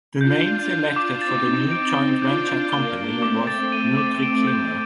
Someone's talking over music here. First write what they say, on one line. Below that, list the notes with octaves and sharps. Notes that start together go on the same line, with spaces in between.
The name selected for the new joint venture company was Nutricima.
D4 F4 G6
G6
G6
D6
C4 D#4 A6
A6
D7
G7
D4 F4 G6
G6
A#3 D4 G7
D7
A3 C4 D6
A6
D#7
D6
A3 C4 D7
G6